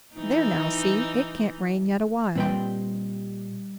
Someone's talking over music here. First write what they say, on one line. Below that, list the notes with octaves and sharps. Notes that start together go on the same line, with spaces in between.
"There, now, see, it can't rain yet awhile."
E3 D#4
A#2 G3 C4 B4 D#5 G5